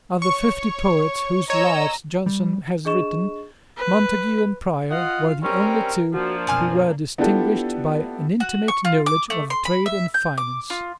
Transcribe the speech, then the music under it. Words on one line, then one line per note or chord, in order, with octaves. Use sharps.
Of the fifty poets whose lives Johnson has written, Montague and Prior were the only two who were distinguished by an intimate knowledge of trade and finance.
C#5 C#6
C#5 D#5 A#5 E6
G3
D4 G#4 D#5 C#6 E7
B4
F4 D#5 F5 F#5
G3 C4 C#4 A#4 G5
F3 A#3 D4 F#4
F#2 B2 C4 G#5 F6
B3 D4 E4 F4 G4 A4
F#4
C#6
F4
D6
A3
C6
B5
E5
G6
D6
F4